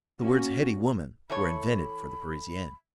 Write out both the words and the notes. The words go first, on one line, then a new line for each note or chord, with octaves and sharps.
The words heady woman were invented for the Parisienne.
A#3 C#4 F#4
E3 A4 C#5 B5